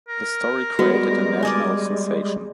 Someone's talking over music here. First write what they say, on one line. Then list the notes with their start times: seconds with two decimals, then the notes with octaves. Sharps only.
The story created a national sensation.
0.09 A#4
0.79 G3 G#3 B3 F#4
1.43 D5 D#5 G#5